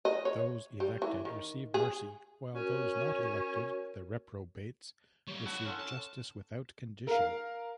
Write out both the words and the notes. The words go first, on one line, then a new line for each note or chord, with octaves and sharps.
Those elected receive mercy, while those not elected, the reprobates, receive justice without condition.
D#5
C#5
G3
E3
D#3
G#4
C#4 F#4 A#4 C#5
G3 A#3 C#5
E4 F#4 F#5 A5
C#4 A4 C6
A5
A#4 F5